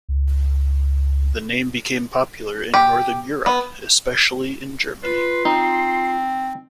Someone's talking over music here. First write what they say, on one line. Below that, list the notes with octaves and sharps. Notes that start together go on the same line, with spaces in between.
The name became popular in Northern Europe, especially in Germany.
C#2
G4
B3
F4 B4 C6
C4 D#4